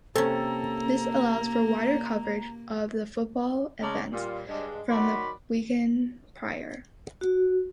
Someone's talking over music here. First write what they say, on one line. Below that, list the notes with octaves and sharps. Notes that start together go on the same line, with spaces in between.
This allowed for wider coverage of the football events from the weekend prior.
C3 A#3 C#4 A4 A#5
C#3 G#3 C#4 D5 A5 A#5
A#2 G3 F4
G2 G#3 D4
D#3 F#3 F#4 D5 B5 C6
F#4